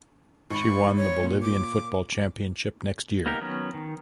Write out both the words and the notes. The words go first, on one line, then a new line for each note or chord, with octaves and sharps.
She won the Bolivian football championship next year.
G#1 B5 C#6
C#5
A#2
D6
A#3 B3 D#4 G4 A#4
D#3 F#3 B3 C#4
D#3